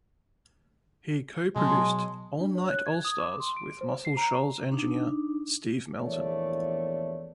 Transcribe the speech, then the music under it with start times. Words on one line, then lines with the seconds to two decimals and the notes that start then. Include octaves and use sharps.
He co-produced "Allnight Allstars" with Muscle Shoals engineer Steve Melton.
1.56 B2 F#3 G#3 A5 C6
2.40 D4
2.55 C#5
2.70 F#6
2.86 G#6
3.05 D#6
3.19 D6
3.40 C6
3.57 D7
3.81 C5
4.05 C7
4.17 A#5
4.72 D4 D#4
5.98 A#1 E2 A3 C#5 D5